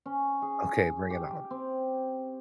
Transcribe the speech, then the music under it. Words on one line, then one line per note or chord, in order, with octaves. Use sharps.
Okay, bring it on.
C#4
G#4
G4
C4